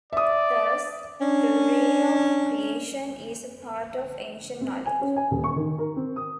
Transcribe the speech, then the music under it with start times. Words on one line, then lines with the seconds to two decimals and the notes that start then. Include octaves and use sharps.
Thus, the Ray of Creation is a part of ancient knowledge.
0.13 D5 E5 D#6
1.21 C#4 D4
4.61 C4
4.86 G#5
5.01 C#4
5.16 G#5
5.31 D#1
5.44 C#6
5.56 D#3
5.78 A#4
5.96 C4
6.16 D#6